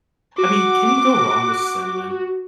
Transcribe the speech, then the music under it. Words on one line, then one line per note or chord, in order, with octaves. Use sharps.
I mean, can you go wrong with cinnamon?
F#4 D6